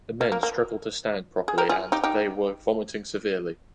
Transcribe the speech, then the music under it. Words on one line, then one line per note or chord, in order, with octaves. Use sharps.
The men struggled to stand properly and they were vomiting severely.
A#3
A#3
A#3
G#4
G4 A#4
F4 G#4
D#4 G4
D#4 G4